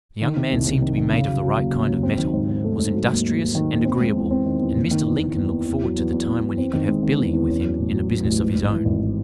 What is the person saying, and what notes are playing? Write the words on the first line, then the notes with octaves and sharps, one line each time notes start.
The young man seemed to be made of the right kind of metal, was industrious, and agreeable, and Mr. Lincoln looked forward to the time when he could have "Billy" with him in a business of his own.
D#3
C3
C2
C3
D#3
D#3
C#3
F#3
F#3
D#2
D#2
F#3
C4
D#3
G#2
C4
A3
G#2
F#3
D#2
D#2
D#2
D#3
D#2
C4
G#3
E2
C4
D#3
E2
F#1
D#3
E2
E2
E2
E2
E2
F#3
E2
E2
E2
E2
C4
D#3
G#3
D#3
E2
E2
C#4
F#3
A1
F#3
F#3
A1
G#2
G#1
E3
G#1